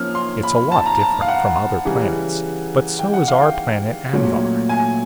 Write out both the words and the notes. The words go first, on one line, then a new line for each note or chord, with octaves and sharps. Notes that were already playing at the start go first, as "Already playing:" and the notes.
It's a lot different from other planets, but so is our planet Anvhar.
Already playing: F3 A#3 C#4 F6
C6
B5
A5
A#5
A5
F5
F#5
C#3 E3 G3
G5
F#5
F5
G5
A#2 F#3 A3 C#4
G#5